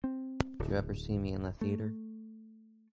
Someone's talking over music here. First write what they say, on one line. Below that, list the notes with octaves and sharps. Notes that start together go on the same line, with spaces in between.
Did you ever see me in the theater?
C4
D1
A3